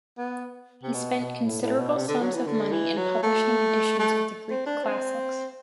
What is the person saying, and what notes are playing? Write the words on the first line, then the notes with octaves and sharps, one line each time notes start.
He spent considerable sums of money in publishing editions of the Greek classics.
B3
C3
B2
B2
A2
A2
B2
C3
D3
F#3
E3
D3
E3
F#3
A3
A3
C4
D4
C4